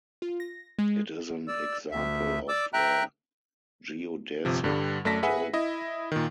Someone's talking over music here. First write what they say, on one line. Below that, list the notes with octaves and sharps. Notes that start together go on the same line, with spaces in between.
It is an example of a geodesic dome.
F4
A#6
G#3
D5 E6
D2 E5
D5 D6 E6
E5 G5 A#5 F#6
G1 C3 F3
G2 D3 G3
F#2 A3 D5 A5 A#6 B6
G#4 B4 E5 F#5 G#5
E4 D#5
A#2 D#3